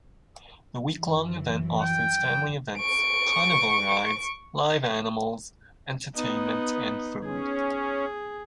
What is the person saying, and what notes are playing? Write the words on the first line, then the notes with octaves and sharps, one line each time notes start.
The week long event offers family events, carnival rides, live animals, entertainment and food.
F#2 E3
G5
C#6 D7
B3 D#4
C#4 G#4